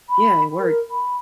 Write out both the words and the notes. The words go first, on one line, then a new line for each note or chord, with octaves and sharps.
yeah, it worked,
B5
A#4
B5